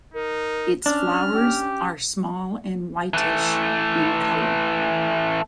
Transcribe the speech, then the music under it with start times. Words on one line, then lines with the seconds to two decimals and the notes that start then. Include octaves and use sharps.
Its flowers are small and whitish in color.
0.14 D#4 A#4
0.86 C#4 D4 F6
1.35 G4
3.14 E3 A3